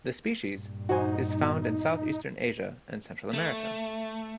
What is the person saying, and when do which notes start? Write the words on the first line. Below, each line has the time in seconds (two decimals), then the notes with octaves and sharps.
The species is found in Southeastern Asia and Central America.
0.55 G2 A#2
0.89 D#4 F#4 C5 G#5
1.41 B2
3.33 A3